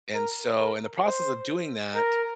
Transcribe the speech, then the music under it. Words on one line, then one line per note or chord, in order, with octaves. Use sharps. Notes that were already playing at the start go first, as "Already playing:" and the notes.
And, so, in the process of doing that,
A#4
A#4
C5
A#4